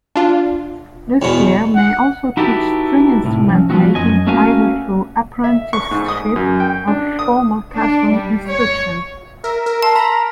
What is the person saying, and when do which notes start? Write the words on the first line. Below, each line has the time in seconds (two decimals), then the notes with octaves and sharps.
Luthiers may also teach string-instrument making, either through apprenticeship or formal classroom instruction.
0.15 D4 F4
1.22 E2 B2
1.75 F#5
2.37 D#4 E4 F#4 G4 A4 B4
3.24 C2 A2
3.48 F3 C#4
3.70 F3 F#3 B3 C4 D#4 F#4
3.95 F#2 D#5 G#5
4.27 A3 A#3 C#4 F#4 F5 G#5
5.44 E5
5.73 C#6
5.91 G#2
6.08 D#6
6.36 F#2
6.60 G5
6.88 D4
7.19 D#6
7.73 D4
8.10 G3
8.47 C#5
9.44 A#4 E5
9.66 A#4
9.83 A5 C6
9.96 A#5 B5
10.12 A#4